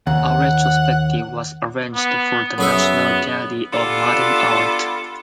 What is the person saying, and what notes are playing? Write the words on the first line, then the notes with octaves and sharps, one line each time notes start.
A retrospective was arranged for the National Gallery of Modern Art.
D#2 F#5
B3
F#2 B3 G#4 E5
B3 D4 F4 G4 A4